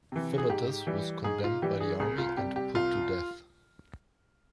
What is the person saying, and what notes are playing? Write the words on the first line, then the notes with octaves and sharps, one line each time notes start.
Philotas was condemned by the army and put to death.
C3 E3
G#4
G#2 G4
E3 G3
G#2 G#4
F4
E3 G3 G4
G#4
C2 G#4
F4
C3 G3 G4
G4
C2 F4